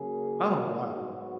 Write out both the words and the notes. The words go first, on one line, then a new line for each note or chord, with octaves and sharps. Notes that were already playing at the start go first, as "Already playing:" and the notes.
Oh, wow.
Already playing: C#3 F#3 A#3 G#4
G#2 F#3 B3 F#4